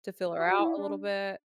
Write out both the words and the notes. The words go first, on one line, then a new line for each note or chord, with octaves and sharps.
to feel her out a little bit,
F#4
E4
D4